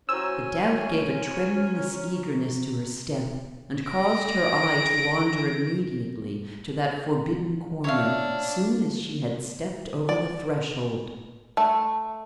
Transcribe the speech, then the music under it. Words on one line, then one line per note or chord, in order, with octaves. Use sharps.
The doubt gave a tremulous eagerness to her step and caused her eye to wander immediately to that forbidden corner soon as she had stepped over the threshold.
F#3 C#4 C5 G#5 E6
A#6 D7
D4 C#5 E5 F5
D5
A3